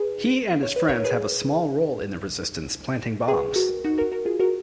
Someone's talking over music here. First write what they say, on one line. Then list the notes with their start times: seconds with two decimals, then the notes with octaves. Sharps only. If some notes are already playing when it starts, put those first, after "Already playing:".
He and his friends have a small role in the Resistance planting bombs.
Already playing: G#4 B4
0.63 C#5
0.76 B4
0.88 A#4 C#5
1.04 G#4 B4
3.28 G#4 B4
3.56 F#4 A#4
3.84 D#4 F#4
3.98 F#4 A#4
4.12 F#4 A#4
4.25 F4 G#4
4.40 F#4 A#4